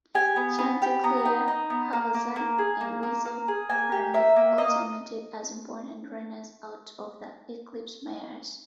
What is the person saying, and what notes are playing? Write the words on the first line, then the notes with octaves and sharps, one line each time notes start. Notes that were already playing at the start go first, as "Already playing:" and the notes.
Chanticleer, Haphazard, and Weasel are also noted as important runners out of Eclipse mares.
G4 G#5
B3
B3
G4
B3 A#5
D#4
D#4
B3
A#3
A#3
A#3
G#4
A#3
A#3
A#3
G#4
A#3 G#5
G4
A#3 E5
A#3
A#3 D#5